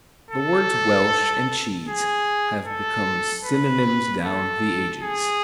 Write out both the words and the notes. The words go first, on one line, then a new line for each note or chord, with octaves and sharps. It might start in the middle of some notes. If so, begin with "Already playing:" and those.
The words Welsh and cheese have become synonyms down the ages.
A4
G#4
A4
B4
A4
G#4